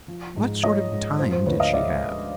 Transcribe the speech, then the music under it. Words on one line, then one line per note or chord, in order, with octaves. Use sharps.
What sort of time did she have?
F3
G#2
F3 C#5 D#5
G#2
F3 C5
C5
D2 B4 C#5
D#5 F5
D5 E5